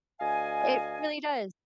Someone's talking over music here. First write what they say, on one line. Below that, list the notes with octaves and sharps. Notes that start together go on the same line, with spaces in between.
It really does.
D2 D#5 F5 G#5